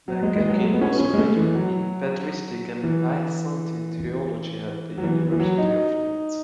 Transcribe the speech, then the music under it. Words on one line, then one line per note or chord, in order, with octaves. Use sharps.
McGuckin was a Reader in Patristic and Byzantine theology at the University of Leeds.
F#3
G#3
G#3
F#3
A3
B3
C#4
C#4
G#3
A3
E3
F#3
E3
F#3
E3
E3
E3
F#3
D#4